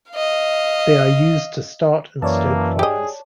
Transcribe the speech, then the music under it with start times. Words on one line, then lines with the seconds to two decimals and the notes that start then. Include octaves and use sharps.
They are used to start and stoke fires.
0.12 D#5 F5
2.22 F#2 E3 A#3 C#5 D5 A5
2.79 G4 G#4 D#5